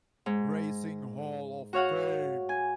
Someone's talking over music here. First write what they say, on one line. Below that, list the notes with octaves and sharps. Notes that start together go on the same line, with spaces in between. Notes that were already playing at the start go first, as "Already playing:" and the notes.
Racing Hall of Fame.
G#2
F#4 C#5 F5 F#5
G#5